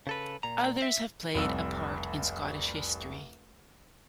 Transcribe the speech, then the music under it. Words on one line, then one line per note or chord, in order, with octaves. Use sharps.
Others have played a part in Scottish history.
C#3 A4 B4
A#2 A#5
E5
F1 C2 E6